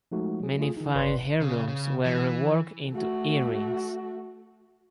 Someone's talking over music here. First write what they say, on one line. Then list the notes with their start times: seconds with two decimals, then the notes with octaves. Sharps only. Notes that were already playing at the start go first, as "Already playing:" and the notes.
Many fine heirlooms were reworked into earrings.
0.12 F3 G#3 A3 D#4 F#4
0.40 F#3 G#4
0.59 A3 F4 G#4
0.77 D#3 D#4
0.95 G1 B4 D5 C6
1.42 C#3
1.68 C#3
2.05 E3
2.93 A3 F#4